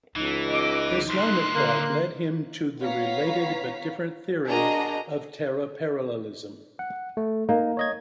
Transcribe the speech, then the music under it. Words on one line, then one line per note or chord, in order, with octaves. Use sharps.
This line of thought led him to the related but different theory of teleparallelism.
C#2 E3 D#4
D#5 D6
D2 A#2 C6 F#6
D3 A#3
B3 B4 C#5 F5 A#5 B6
D4 F#4 G#4 A#4 D#5 A#5
F#5
A3
A#3 D#4
C#5 D#5 G#6